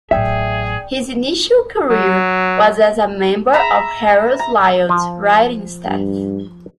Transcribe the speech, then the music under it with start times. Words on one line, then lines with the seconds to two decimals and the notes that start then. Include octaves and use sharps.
His initial career was as a member of Harold Lloyd's writing staff.
0.11 A1 F#3 G#4 D5 E5 G5
1.90 F#3
3.53 E5 A#5 B5
4.39 A#5
4.89 F3
5.86 G2